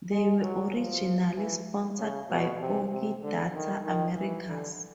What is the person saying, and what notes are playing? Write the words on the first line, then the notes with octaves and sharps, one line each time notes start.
They were originally sponsored by Oki Data Americas.
G#3
F#3
F3
E3
C#3
B2
C3
C3
D3
D#3
D#3
E3
D3